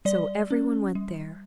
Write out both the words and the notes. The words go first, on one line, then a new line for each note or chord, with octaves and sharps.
So every one went there.
G3 D5
C#4
G3